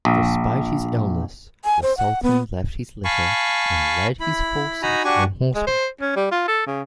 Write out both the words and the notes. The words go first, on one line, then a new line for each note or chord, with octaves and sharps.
Despite his illness, the Sultan left his litter and led his forces on horseback.
A#1
G#5
C5
F#5
B3
F5 G#5 A5 B5 C#6
E4 B5
D#4 F#4 G#5 A#5 B5
D4 F#4 G4 F#5 G#5 C#6
G#3
C5
C#4
G3
F4
A4
C#3